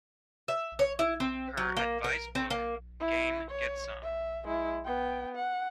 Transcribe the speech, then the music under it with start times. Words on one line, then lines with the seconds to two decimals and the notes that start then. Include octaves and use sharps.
Her advice book Game, Get Some!
0.48 E5
0.79 C#5
0.99 E4
1.20 C4
1.57 F#3
1.77 A#3
2.04 A#4
2.35 C4
2.50 A#3
3.00 E4
3.50 C#5
4.03 E5
4.45 G#3 E4
4.84 B3 G5
5.35 F#5